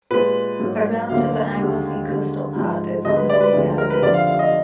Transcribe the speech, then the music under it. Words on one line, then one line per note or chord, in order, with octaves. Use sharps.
Around of the Anglesey Coastal Path is on Holy Island.
A#2 G#3 B4
G#2 F#3 A#3
D2 D3 F#3 A#3 F5
D#2 D3 G#3
D#2 D3 G#3
G#2 F3 G#3
D2 D3 G#3 D#5
B4
D5
B4
D2 D3 F3 G#3
A#4
B4
F2 D3 F3 D5
F5
F5
D#5